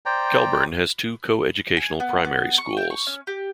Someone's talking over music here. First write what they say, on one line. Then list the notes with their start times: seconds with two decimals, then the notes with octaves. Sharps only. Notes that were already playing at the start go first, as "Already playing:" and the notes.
Kelburn has two co-educational primary schools.
0.06 C5 D5 G5 A#5
1.77 G#5
2.00 B3
2.24 B3
2.58 C#6
2.77 G5
2.90 C#6
3.07 C#4
3.27 G4